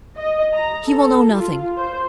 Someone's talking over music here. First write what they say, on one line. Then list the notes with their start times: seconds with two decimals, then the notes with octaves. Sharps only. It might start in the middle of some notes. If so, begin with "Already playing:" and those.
"He will know nothing."
0.17 D#5
0.53 A#5
0.88 A4
1.31 F4
1.78 C5